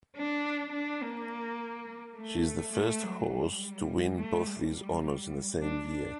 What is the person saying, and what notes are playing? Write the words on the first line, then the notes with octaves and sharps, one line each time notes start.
She is the first horse to win both these honors in the same year.
D4
D4
A#3
A3
A3
F#3
G3
A3
G3
D4
D4